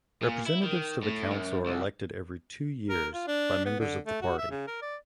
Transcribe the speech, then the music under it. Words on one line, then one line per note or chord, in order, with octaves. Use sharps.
Representatives to the council are elected every two years by members of the party.
A#2
E4
D#3
A2
F#2
C2
A#4
F4
D4
B3
D3
A3
F#4
E5
C#3
A#4
D5